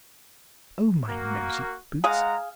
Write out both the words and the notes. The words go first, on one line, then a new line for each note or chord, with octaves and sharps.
O my noisy boots!
A#3 F#4
G#3 G#4 F5 F#5 A#5